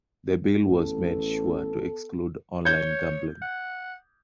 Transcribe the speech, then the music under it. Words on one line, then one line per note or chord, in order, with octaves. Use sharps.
The bill was made sure to exclude online gambling.
A1 B3 A4
C#5 G6 G#6
F#5